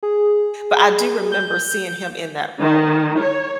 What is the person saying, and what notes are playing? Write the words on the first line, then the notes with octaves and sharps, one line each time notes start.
but I do remember seeing him in that role.
G#4
G6
D#3
C#5